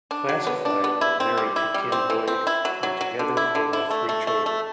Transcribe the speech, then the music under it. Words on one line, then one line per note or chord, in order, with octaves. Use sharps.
Classified is married to Kim Boyd and together, they have three children.
D4
F#3
B3
D4
B3
E4
C4
G3
E4
G3
C4
E3
C4
E4
F#3
F#3
F#3
D3
E4
D3
E4
A3
A3
A3
A3